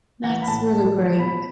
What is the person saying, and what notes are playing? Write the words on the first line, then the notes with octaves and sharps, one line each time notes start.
That's really great.
E3 F#5
B5
A2 A5
A2
E3
B2 B5